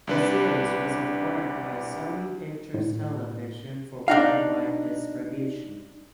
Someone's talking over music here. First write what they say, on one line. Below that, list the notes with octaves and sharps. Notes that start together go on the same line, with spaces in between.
The series was acquired by Sony Pictures Television for worldwide distribution.
C2 D4 B4
A2
D4 D#4 F5